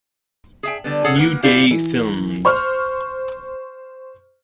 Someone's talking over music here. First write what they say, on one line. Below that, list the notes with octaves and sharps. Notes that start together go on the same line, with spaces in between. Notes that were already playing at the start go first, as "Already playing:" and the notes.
New Day Films.
G#4 E5 G5
D3 G3 B3
G#4 A4 C#5 F#5
A#3 A#4 B4 F#5
E4 F4 G4 D5 F5
E3
C5 C#6 F6